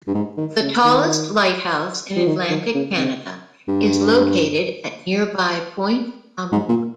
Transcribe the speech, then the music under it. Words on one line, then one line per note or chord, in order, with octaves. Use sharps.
The tallest lighthouse in Atlantic Canada is located at nearby Point Amour.
G2
G#2
D#3
C#3
D#3
F3
D#3
D#3
C#3
C3
G2
G#2
A#2